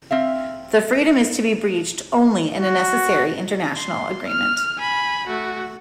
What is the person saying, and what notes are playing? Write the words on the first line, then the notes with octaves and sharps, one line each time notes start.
The freedom is to be breached only in a necessary international agreement.
C4 E5 F5
F#4
C6
F6
G#5 B5
A3 F#4